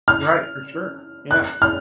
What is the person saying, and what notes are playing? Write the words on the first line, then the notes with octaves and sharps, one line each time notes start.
Right, for sure. Yeah.
F6
F#6
F6